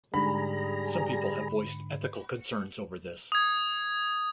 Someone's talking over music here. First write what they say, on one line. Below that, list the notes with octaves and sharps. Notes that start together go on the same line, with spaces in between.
Some people have voiced ethical concerns over this.
G#2 D3 G3 G#4 A#5 B5
D#6 G#6